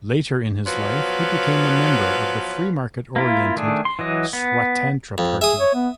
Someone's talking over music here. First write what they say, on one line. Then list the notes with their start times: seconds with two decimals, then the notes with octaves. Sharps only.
Later in his life, he became a member of the free-market-oriented Swatantra Party.
0.66 F3 F#3 B3 B4 C#5 F5
3.16 A#3 E4 F4
3.56 D#3 A3 D4 G#4
3.85 C6
3.99 E3 F#3 D#5
4.33 B3
5.18 F2
5.41 G#4 E5 D#6
5.59 C#5
5.75 B3